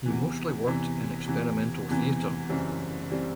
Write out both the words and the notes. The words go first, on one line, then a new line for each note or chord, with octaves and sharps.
He mostly worked in experimental theater.
E2 C3 E3
E2 C3 E3
E2 C3 E3
E2 C3 E3
F#1 F#2 E3 G3 C4
E3 G3 C4